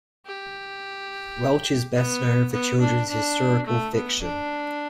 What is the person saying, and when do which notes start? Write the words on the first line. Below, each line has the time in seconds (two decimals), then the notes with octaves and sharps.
Welch is best known for children's historical fiction.
0.26 G4
1.96 B3
2.53 B3
2.80 D4
3.09 D4
3.66 A3
3.95 B3
4.22 D4